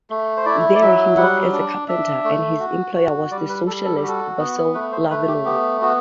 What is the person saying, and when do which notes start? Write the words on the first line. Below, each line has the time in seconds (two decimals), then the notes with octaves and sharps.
There he worked as a carpenter and his employer was the socialist Vasil Glavinov.
0.10 A3
0.37 C5
0.46 E4 D5
0.75 D5
0.82 F#3 E5
1.17 G3 F#5
1.53 D4
1.88 D4 E5
2.24 A3
2.60 F#4
2.95 F#4
3.31 G3 D5
3.49 B4
3.67 G3 A4
3.85 A4
3.96 G4
4.03 F#4
4.08 A4
4.39 B3
4.74 A3 B4
4.92 C5
5.10 A3 B4
5.28 G4
5.45 B3 G4
5.81 B3 F#4